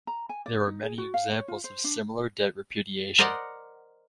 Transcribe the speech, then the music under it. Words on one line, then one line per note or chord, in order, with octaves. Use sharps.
There are many examples of similar debt repudiation.
A#5
G#5
D5
D#4
G#4
F#4
F5
C#5
F4
C5
D4
A#4 C5 D5 D#5 F#5